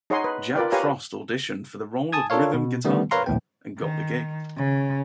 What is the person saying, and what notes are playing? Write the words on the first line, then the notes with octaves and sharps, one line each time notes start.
Jack Frost auditioned for the role of rhythm guitar player, and got the gig.
D#4 G#4 C#5 D#5 F#5 C6
B4
F4 A#4 B4 D5 G5
G4 B4 C#5 F5 G#5 A#5
G#5 A5 D#6 G#6
D4 F4 A4 A#4 C#5 F5
B2
D#3 G3 A3 B3 C#4
A#4 B4 C#5 F5 A#5 C6
A#1 D#2 A2 B3 G5
D#3
C#3